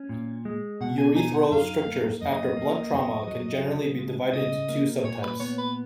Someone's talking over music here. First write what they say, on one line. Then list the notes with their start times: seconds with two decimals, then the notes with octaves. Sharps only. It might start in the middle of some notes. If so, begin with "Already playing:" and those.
Urethral strictures after blunt trauma can generally be divided into two sub-types.
Already playing: C#4
0.09 A#2
0.45 G#3
0.81 B2 F#5
0.98 G#5
1.15 D#4 G#5
1.33 F#5
1.51 F#2 F5
1.86 A#3
2.22 F#2 D#5
2.57 A#3
2.93 F#2
3.27 F#3
3.64 C#3
3.99 G#3
4.33 C#3 D#5
4.69 A#3
5.04 A#2 C#5
5.22 B4
5.40 B3 C#5
5.58 B4